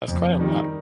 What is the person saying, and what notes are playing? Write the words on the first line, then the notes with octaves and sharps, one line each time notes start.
That's quite a lot.
F2
D#3 G3